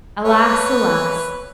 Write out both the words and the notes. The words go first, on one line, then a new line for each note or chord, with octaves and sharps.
Alas, alas!
B4 C#5